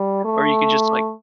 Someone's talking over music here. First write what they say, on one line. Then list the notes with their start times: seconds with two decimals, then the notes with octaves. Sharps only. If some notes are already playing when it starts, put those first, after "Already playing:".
Or you could just, like,
Already playing: G3
0.25 A3